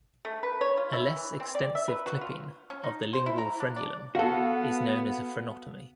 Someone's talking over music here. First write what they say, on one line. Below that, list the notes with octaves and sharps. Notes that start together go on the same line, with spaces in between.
A less extensive clipping of the lingual frenulum is known as a frenotomy.
A3
B4
C#5
F4
E4
E3
C4
D5
E5
B4
F#4
F4
C#4
D#4
C5
E4
A#5
D4
D5
B3 F#4 A4 F5 F#5